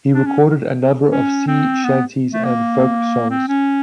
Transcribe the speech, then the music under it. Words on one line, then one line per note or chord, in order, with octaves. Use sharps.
He recorded a number of sea shanties and folk songs.
D4
C#4
C#4
C4
B3
A3
A#3
C4
C#4